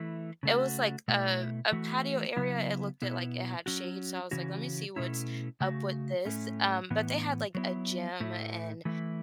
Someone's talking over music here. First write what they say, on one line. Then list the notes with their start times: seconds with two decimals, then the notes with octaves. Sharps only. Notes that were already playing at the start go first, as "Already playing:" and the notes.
It was, like, a a patio area. It looked at, like, it had shade. So I was, like, let me see what's up with this. Um, but they had, like, a gym and
Already playing: E3 A3 E4
0.43 C#3 A3 F#4
1.08 B2 A3 E4
1.72 E3 A3 F#4
2.37 C#3 F#3 B3 E4
3.02 B2 B3 E4
3.66 F#3 C#4 F#4
4.31 C#3 E3 C#4 F#4
4.96 B2 A3 C#4 E4
5.60 C#3 A3 F#4
6.25 A2 A3 C#4
6.90 A2 E3 B3
7.55 F#3 B3 E4
8.20 A2 A3 E4
8.85 E3 A3 E4